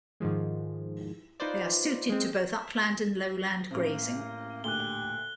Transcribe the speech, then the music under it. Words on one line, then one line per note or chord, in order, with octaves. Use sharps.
They are suited to both upland and lowland grazing.
G#2 D#3 F3 G#3
D#4 F4 B4 C5 D5
G#3 C4
A1 A2 A#3 C4
D2 A#2 G4 F#6 G7